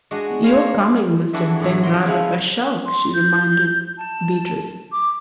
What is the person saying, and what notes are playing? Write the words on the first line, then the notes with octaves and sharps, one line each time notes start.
"Your coming must have been rather a shock," she reminded Beatrice.
G#3 D4 F#4 D#5
A#4 C5 C#5 F5 A#5
F2 E3 D4 F#4 G#4 E5
A2 E3 F#3
D3 A#4 G5 C6
C#3 F3 G#3 B3 E4 F4
C6
G6
A5
D6